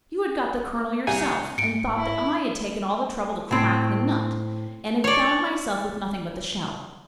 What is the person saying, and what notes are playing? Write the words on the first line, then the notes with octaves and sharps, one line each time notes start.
You had got the kernel yourself, and thought that I had taken all the trouble to crack the nut and had found myself with nothing but the shell.
C2 G#5
G#2 C#7 D7
E4
A2 C4
C#5 D5